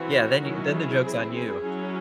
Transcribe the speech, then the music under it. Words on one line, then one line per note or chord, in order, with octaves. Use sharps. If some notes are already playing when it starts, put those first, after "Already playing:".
Yeah, then then the joke's on you.
Already playing: E3 C4 E4 F#4
D#3 F#3 C#4 E4
G#4
E3 C4 E4
G#4
F#3 C#4 E4